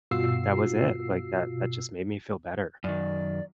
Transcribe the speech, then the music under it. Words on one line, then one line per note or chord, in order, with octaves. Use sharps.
that was it, like, that that just made me feel better.
G2 B2 F4 F#4 E6 C7
F#2 D#3 D5